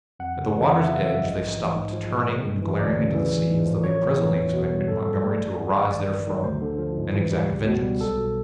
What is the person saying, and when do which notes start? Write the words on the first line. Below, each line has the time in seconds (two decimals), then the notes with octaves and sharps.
At the water's edge they stopped, turning and glaring into the sea as though they presently expected Montgomery to arise therefrom and exact vengeance.
0.20 F2 F#5
0.37 C#3
0.55 E3
0.71 F2 F#5
0.81 E5
0.88 C#3 F5
1.06 F3 E5
1.23 A#1 D#5
1.41 G#2
1.58 E3
1.76 G#2
1.93 F3
2.11 G#3
2.27 G1
2.45 G2
2.62 E3
2.79 D2 D5
2.97 C#3
3.14 E3
3.32 A1
3.49 G#2
3.66 F3
3.83 A1 C#5
4.02 A2
4.18 E3
4.35 E2
4.53 B2
4.70 G3
4.88 G#2 A4
5.05 F3 A4
5.22 A3 D5
5.40 A1
5.57 G2
5.74 D#3
5.91 A1 D5
6.09 G2
6.27 D#3
6.44 D2 C5
6.62 D3
6.78 F3
6.97 G#2
7.13 E3
7.31 G3
7.48 C#2
7.66 B2
7.82 G3
8.00 B1 A4
8.17 B2